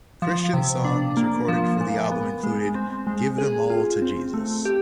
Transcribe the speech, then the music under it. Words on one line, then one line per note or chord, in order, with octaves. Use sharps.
Christian songs recorded for the album included "Give Them All to Jesus".
F3
C3
D4
A#3
F3
A#2
B3
G#3
C4
G#3
G#4
F4
C4
A3
G4